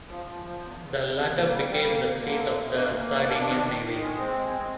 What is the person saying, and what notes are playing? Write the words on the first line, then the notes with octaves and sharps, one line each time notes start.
The latter became the seat of the Sardinian Navy.
F3
F3
F3
E2
E2
E2
E2
A#3
G3
G3
A#3
A#3
D3
D2
D2
A#3
A#3
B2
D4
D#3
D#3
D#3
G#3
C4
G#3
C4